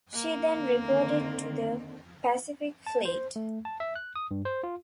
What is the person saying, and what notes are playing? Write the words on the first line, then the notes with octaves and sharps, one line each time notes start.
She then reported to the Pacific Fleet.
A#3
D3 D#3 C4
A5
C5
A3
A5
E5
F#6
D#6
G2
C5
F4